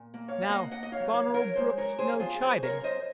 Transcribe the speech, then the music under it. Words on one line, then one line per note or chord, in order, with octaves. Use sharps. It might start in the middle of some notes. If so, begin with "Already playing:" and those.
Now Goneril brooked no chiding.
Already playing: A#2
A#3
C#5 F5
A#3
D#5 F#5
A#3 D#5 F#5
D#5
C#5 F5
F#3
C#5 F5
F#3
A#4 C#5
G#3 G#4 C5
A#4 C#5
F#2
G#4 C5
F#2
F4 G#4
F#2 G#4 C5
A#4 C#5
F#2
C5 D#5